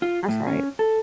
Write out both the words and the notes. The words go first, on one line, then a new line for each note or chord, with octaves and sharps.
That's right.
F4
A2
C#4
A4